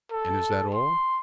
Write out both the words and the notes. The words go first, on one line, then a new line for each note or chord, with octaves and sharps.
"And is that all?"
A4
C6